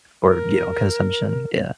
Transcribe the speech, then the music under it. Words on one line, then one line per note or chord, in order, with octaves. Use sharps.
or, you know, consumption, yeah.
A#4